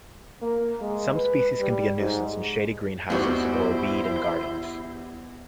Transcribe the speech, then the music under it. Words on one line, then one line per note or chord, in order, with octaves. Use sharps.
Some species can be a nuisance in shady greenhouses or a weed in gardens.
A#3
G#3
B4
G3
G#2
E2 G2 G3 B3 D#4 E4 F#4 C5